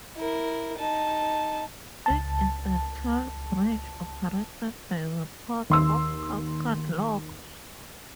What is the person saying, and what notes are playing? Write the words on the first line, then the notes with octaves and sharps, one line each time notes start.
It is a toll bridge operated by the Port of Cascade Locks.
E4 A#4
D#4 A5
C#2 A5
D#2 C6 E6